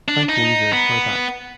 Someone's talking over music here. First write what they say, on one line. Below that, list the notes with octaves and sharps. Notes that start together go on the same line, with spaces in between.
Thank Weezer for that.
D4
D#4
B3